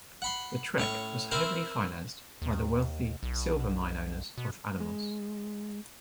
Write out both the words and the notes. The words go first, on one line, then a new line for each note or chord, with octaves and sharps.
The trek was heavily financed by the wealthy silver mine owners of Alamos.
F#5 B5 C6
A2 C#4 C#6
C4 E4 A#4 C5
D#2
B1
B2
G#3